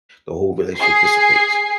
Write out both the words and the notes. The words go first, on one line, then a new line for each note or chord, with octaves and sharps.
the whole relationship dissipates.
G#4 C7